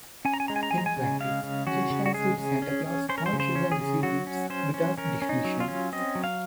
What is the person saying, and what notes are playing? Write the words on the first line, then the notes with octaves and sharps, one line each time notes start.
In practice, just as with Santa Claus, all children receive gifts without distinction.
C#4 G#5
A#5
G#5
G#3 A#5
G#5
A#5
G#3 G#5
A#5
G#5
C#3
G#3 F5
C#3
C#4 F#4
C#3
F#4
G#3 G#4
C#3
C#4
C#4
C#4 C5
A#4
C5
C#3
C5
C#4
G#4
C#3
F#3 F#4
C#4
C#4 C5
C#4
C#4 A#4
C#4
D#4
F#3
F4
C#4
C4 D#5
F#3
F5